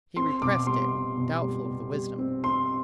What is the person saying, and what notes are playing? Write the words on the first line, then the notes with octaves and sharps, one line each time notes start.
He repressed it, doubtful of the wisdom.
C4 C6
B2 D6
G3 C6
B2
B2
G3
B2
G3
C4
C4 C6